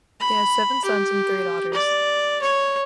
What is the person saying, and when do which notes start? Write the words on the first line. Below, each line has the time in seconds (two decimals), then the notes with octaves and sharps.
They had seven sons and three daughters.
0.20 B5
0.84 G4
1.73 D5
2.41 C#5